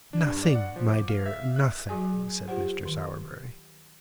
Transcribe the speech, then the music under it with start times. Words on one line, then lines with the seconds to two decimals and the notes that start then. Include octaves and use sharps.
'Nothing, my dear, nothing,' said Mr. Sowerberry.
0.13 D4
0.26 G2
0.43 D5
0.55 F#5
0.76 F3
0.89 D6
1.09 F5
1.26 E5
1.56 F#6
1.89 F#3 F#4 G#4 G#5
2.48 F4 G4 C5 F#5
2.85 D#3